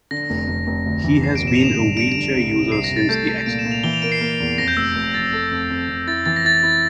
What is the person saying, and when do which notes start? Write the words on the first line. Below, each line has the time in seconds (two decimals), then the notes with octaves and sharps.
He has been a wheelchair user since the accident.
0.11 D3 A#6
0.30 F1
0.48 F1
0.67 F1
0.86 D2
1.04 E3
1.23 E3 C7
1.31 E7
1.35 D7
1.41 C3
1.47 E7
1.55 F7
1.60 G1 E7
1.79 G2
1.97 G2 D7
2.16 D3
2.35 C2
2.54 C3
2.72 C2 C7
2.84 A#6
2.91 C2
2.96 A6
3.09 A3 G6
3.28 A3
3.34 D7
3.46 A#2 D7
3.59 E7
3.65 A#2
3.72 F7
3.84 E3 G7
3.93 F7
4.02 A#3 D7
4.12 C7
4.21 A#3
4.40 E2
4.58 F2 A#6
4.68 G6
4.77 F1 E6
4.96 F1
5.14 F2 A6
5.33 A3 A6
5.51 F2
5.70 F2
5.89 F2
6.07 E4 A6
6.26 E3 A6
6.36 A#6
6.44 E4 A6
6.63 E4